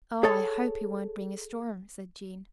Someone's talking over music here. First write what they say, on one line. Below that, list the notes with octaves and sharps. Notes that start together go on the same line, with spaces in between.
"Oh, I hope he won't bring a storm," said Jean.
G#4 A4 C#5 A5